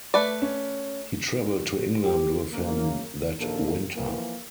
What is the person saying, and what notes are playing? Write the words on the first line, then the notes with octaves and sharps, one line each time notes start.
He traveled to England with him that winter.
A3 B4 D5
C#4
G4
F#2 C#3 A#3
A#1 D#2 A#3 A4 A#4
E3 F3 A#3